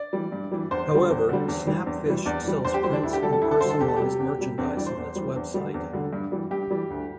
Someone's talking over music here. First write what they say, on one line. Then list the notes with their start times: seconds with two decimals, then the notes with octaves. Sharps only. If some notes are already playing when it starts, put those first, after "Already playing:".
However, Snapfish sells prints and personalized merchandise on its website.
Already playing: D5
0.13 E3 G3
0.32 G2
0.52 E3 G3
0.71 E2 C5
0.90 D3 G3
1.10 E2
1.29 D3 G3
1.48 E2
1.67 E3 G3
1.86 E2
2.06 E3 G3
2.26 E2 D5
2.45 E3 G3
2.64 E2 C5
2.74 G4
2.84 E3 G3 C5
2.93 D4
3.03 D2 E4
3.13 G4
3.22 D3 G3 A4
3.33 A4
3.42 D2 E4
3.51 A4
3.61 D3 G3 C5
3.71 A4
3.81 E2 G4
3.88 A4
3.96 C3 G3 G4
4.19 E2
4.38 C3 G3
4.58 E2 C4
4.68 D4
4.77 E3 G3 D5
4.86 C5
4.97 E2
5.16 E3 G3
5.36 E2
5.54 D3 G3
5.74 E2
5.93 D3 G3
6.13 G2
6.32 E3 G3
6.51 G2 G4
6.71 E3 G3
6.90 D2